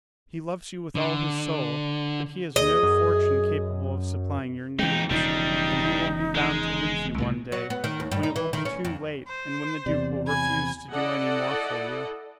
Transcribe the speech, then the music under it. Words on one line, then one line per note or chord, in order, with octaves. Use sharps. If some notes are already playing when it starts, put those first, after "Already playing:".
He loves you with all his soul, but he has no fortune capable of supplying your needs, and he will be bound to leave you one day, when it will be too late and when the duke will refuse to do any more for you.
D3
D#2 G#4 D#5
F#2
F2 E3 G#3 D#4 G5
E1 C#3 F3 G3 D4 D#4
G#3
C2 A2 C3
F#3
B3
D#3
D#2
G2
D#4
E3
D#3
C#4
F2
C5
E2 C3 D5
G#5 B5 G#6
E4 A4 D5 D#5 F#5